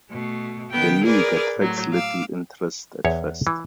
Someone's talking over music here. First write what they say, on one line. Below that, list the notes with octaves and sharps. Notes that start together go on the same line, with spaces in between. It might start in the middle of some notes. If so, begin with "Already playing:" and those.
The league attracts little interest at first.
B2 A3
D#3 B3 G5
G#4 A#4 B4 D5
A2 F#3
F5 D6 E6
E2 C#5
E3